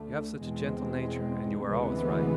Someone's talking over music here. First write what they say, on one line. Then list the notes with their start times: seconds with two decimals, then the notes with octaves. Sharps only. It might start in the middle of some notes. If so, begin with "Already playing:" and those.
You have such a gentle nature, and you are always right.'
Already playing: D2 D3 A3
0.41 E2 B2 G#3 C4
1.67 D2 C3 E3 G#3 B3